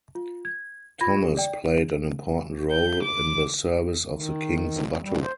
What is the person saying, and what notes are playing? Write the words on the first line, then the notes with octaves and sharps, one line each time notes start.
Thomas played an important role in the service of the kings buttery.
F4
G#6
F4 B5 G#6 A#6
G4
D5 G5
G6
D6
D#3
G3
C5